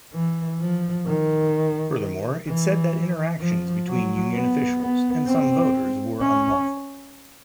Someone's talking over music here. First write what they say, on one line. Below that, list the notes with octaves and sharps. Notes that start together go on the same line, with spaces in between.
Furthermore, it said that interactions between union officials and some voters were unlawful.
E3
F3
D#3
E3
F3
F#3
B3
B3
C4
C#4